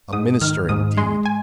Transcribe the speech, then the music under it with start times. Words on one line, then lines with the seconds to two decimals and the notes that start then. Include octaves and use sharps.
"A minister indeed!"
0.13 G#2 D#6
0.41 D#3 F6
0.69 G#2 D#6
0.97 G#3 C6
1.26 G#5